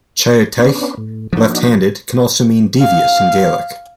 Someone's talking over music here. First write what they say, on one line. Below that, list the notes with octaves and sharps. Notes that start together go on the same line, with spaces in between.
"Chiotaich", "left-handed", can also mean "devious" in Gaelic.
B3 C#4 D4
A2
F3 A#3 D4 D#4 F#4
F5